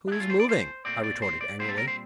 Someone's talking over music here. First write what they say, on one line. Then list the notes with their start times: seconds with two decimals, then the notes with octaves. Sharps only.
"Who's moving?" I retorted, angrily.
0.07 D4
0.11 E2 E3 A3 E4
0.20 F4
0.30 C5
0.40 D5
0.49 C5
0.85 A#2 A3 C4 D5
1.03 D5
1.22 C5
1.41 D5
1.59 A#2 G3 C4 C5
1.69 A4
1.78 A#4
1.88 C5